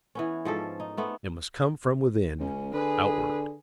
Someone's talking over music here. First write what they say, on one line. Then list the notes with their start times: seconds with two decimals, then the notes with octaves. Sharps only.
It must come from within, outward.
0.15 E3 B3 C#4
0.45 G#2 F3 C#4 A4
0.80 D#4
0.97 A3 B3 C4
2.40 C#2 C#4
2.73 D3 G#4 B4